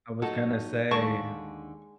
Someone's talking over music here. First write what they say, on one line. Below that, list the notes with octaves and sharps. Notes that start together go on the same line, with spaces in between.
I was gonna say
F#3 D#4 F#4 A4 A5
D#2 D3 G#3 D5 A5 C#6